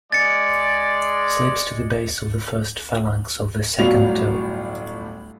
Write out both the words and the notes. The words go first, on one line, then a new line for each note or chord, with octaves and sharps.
Slips to the base of the first phalanx of the second toe.
G#3 D5 A6 C#7
G1 A2 F#3 G3 F4 F7